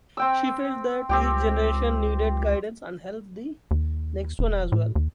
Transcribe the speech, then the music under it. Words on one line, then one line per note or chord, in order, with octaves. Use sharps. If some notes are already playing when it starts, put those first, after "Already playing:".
She felt that each generation needed guidance and help the next one as well.
C4 G5 E6
C#2 C4 G4 G5
D#2
E1
A2
D#2